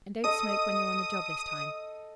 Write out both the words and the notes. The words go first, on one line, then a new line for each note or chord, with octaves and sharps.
And don't smoke when you're on the job this time.
A4 D#5 D#6